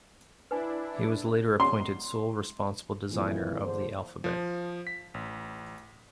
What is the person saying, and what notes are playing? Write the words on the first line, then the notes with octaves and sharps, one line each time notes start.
He was later appointed sole responsible designer of the alphabet.
D4 E4 B4 G#5
C6
F2 A#2 C#3 E3
E2 D3 C5
F3
B6
A1